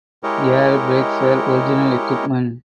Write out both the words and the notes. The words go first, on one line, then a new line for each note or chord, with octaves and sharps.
Air brakes were original equipment.
G#3 E4 G4 A#4 C#5 D#5